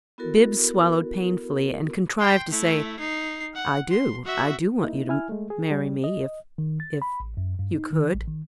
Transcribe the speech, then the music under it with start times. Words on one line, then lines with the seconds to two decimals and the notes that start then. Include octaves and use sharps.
Bibbs swallowed painfully and contrived to say, "I do--I do want you to--marry me, if--if--you could."
0.18 B3 E4 F#4 A4 A#4
2.19 G5 C6
2.51 A3 E4
2.99 D#4 C7
3.55 F#5
3.90 C6
4.25 F#4 E5
4.83 A#3 D#4 E4
5.09 E4 G#5 F6
5.29 G#3 A3
5.50 G#4
5.71 G3
6.04 D#5
6.58 D#3
6.80 A6
7.02 B5
7.20 A1
7.37 F#2
7.59 G2
7.75 D#4
7.93 D#3
8.14 A1
8.27 D#3